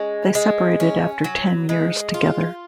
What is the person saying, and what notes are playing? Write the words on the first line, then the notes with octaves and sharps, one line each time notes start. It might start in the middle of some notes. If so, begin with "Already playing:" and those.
They separated after ten years together.
Already playing: G#3 C#4
G#3
C#4
F#3
G#3
F4